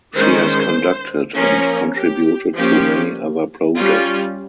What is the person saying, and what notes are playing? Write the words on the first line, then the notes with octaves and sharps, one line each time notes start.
She has conducted and contributed to many other projects.
D#3 G#3 C#4 C5
F3 A#3 C#4 A#4
G4
F3 A#3 C#4 G4
G3 C#4 F4